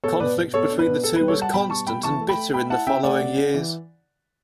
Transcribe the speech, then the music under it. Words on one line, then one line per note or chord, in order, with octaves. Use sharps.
Conflict between the two was constant and bitter in the following years.
B2 A4 C#5
B2 B4 D5
B2
B2 A4 C#5
D4
B4
B2
B2 A4
B4
G3
A4 C#5
G3 F#5 A5
B2 G5 B5
G3 A5 C#6
B2 G5 B5
E3 A5 C#6
A3
G5 B5
A3
A3 G5 B5
E4 F#5 A5
C#3 E5 G5
A3 D5 F#5
C#3
C#3
E3